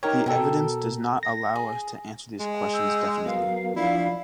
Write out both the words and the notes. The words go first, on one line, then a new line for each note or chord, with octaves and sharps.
The evidence does not allow us to answer these questions definitely.
D#4 G4 A#4 C#5 A#5
B2 A4 A#4 G5
A#6
G#4
G#3
G5 E6
F#3 B3 A#4 F5
F3 D4 E4 F5